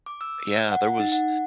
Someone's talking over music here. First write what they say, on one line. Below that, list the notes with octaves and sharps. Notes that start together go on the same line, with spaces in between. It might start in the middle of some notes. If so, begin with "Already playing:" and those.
Yeah, there was
D6
E6
F#5
D#4
F#5